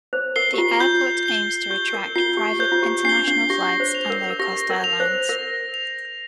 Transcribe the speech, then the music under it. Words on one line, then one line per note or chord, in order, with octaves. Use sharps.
The airport aims to attract private international flights and Low-cost airlines.
C5
A#4 C7 G7
G4
F4
F4 G6
C7 G7
G4 G6
A#4
F4 C7 G7
G4
C5 G6
F4
G4
D4 C7 G7
D4
G4 A#6
C5
F7
A#4
A#4
G4 A#6
A#4
F7
C5
A#4 A#6
F7